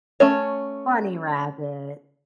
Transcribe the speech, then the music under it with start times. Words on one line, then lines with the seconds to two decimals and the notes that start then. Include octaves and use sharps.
bunny rabbits,
0.20 A3 C#4 C#5